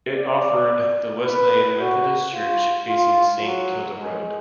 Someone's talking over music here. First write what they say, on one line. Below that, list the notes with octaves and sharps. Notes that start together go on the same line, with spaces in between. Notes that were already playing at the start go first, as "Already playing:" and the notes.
It offered the Wesleyan Methodist Church facing Saint Kilda Road.
D5
B4
F#4
F4
F4
F#3
G#3